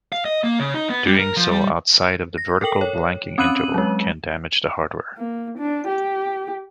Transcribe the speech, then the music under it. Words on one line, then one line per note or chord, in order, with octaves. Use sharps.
Doing so outside of the vertical blanking interval can damage the hardware.
F5
D#5
A#3
C#3
D#4
B3
G3
A#4
F3
G3
A#6
A4 A#4 G5 F#7
C#5
C4 C#4 B5 F#6 D#7 F#7
F#3 G#3
A#3
D4
G4